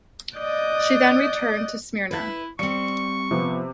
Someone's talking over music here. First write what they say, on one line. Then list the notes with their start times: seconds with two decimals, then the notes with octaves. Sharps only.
She then returned to Smyrna.
0.38 D5 D#5 D#6 F#6 G6
2.11 E4 B4 E5
2.59 G3 C4 C#6 C#7
3.31 C3 F3 B3